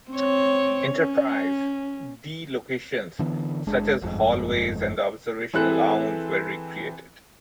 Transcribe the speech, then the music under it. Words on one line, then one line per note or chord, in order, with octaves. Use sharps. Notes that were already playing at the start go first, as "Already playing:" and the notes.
"Enterprise"-D locations such as hallways and the observation lounge were re-created.
C4 C#5
C#4
D3 E3 B3
F#1 G#3 D4
G1 F2 G#2
E3 C4 E4 G#4 A4 F#6